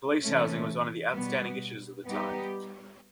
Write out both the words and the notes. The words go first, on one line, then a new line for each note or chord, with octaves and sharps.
Police housing was one of the outstanding issues of the time.
C3 E3 A3 C#4
B2 G3 B3
G3 B3 D#4 G4